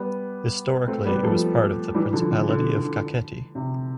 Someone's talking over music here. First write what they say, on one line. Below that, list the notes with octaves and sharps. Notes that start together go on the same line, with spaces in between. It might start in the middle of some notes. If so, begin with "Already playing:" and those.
Historically it was part of principality of Kakheti.
Already playing: G3 B3
A3 C4
G3 B3
B3
F3 A3
E3 G3
D3 F3
D3
D3
D3
C3